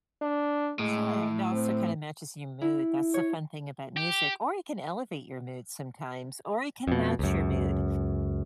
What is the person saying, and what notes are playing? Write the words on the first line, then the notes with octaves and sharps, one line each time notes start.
Sure, it also kind of matches your mood, that's the fun thing about music, or it can elevate your mood sometimes, or it can match your mood.
D4
A2 G#3
C4
E4
C#5
G4
F2 B2
C#2 F#2